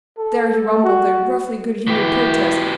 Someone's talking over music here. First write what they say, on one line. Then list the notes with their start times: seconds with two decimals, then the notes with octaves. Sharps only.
There he rumbled a roughly good-humoured protest.
0.18 A4
0.84 F#4
1.87 B2 E3 G4